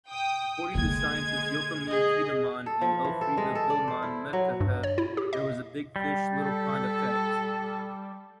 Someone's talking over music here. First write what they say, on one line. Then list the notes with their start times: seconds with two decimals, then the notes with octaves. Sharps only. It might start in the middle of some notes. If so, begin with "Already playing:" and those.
According to scientists Joachim Tiedemann and Elfriede Billmann-Mahecha, there was a big-fish-little-pond effect.
0.10 G5 D#6
0.75 D3 G#3 A#3 G#6
1.89 G#4 D#5
2.66 A4
2.81 F3
3.05 E3
3.21 A4
3.37 G#3
3.55 A4
3.70 D5
3.88 C5
4.03 E4
4.33 F#3
4.61 G2
4.83 C#5
4.98 E4
5.17 G4
5.33 D#5
5.96 G3
6.41 A4